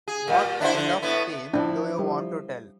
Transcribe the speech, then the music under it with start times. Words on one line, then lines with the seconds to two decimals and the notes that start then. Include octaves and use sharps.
What kind of theme do you want to tell?
0.08 G#4
0.28 A#2 G3
0.45 A#2
0.60 D4 E4 C5
0.75 D3
1.02 A2 B3 E4
1.54 F3 D4 E4
1.99 G3